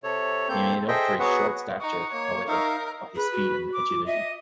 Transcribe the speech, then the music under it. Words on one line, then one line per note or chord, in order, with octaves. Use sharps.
He made up for his short stature, however, by his speed and agility.
C3 A4 C#5
A#3 C4 A4 G6
G#4 A4 C5 D#5 E5 G5
F#3 B3 F#4 G#4 B4 F#5
D#4 F#5 C#6
A#3 C#5
D#4 A#4 E5 F5
G#4 B4
F#4
D6
F4
D#5 E5